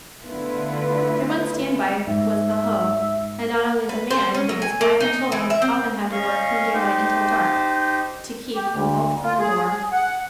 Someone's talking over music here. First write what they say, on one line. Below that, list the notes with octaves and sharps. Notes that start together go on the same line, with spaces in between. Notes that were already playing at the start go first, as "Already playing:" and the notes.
Their one standby was the hoe and not only the man but his wife and children often had to work from daylight until dark to keep the wolf from the door.
D3 A3 B3 E4 F4 B4
G#2 E5
B4
C5
C#4
F#3
G#5
A#3
D#4
E3
E5
C4
C#4 D#5 F5 C#6
D#4 G4 C5
G4
D2
F4
G#4
G#4
F#5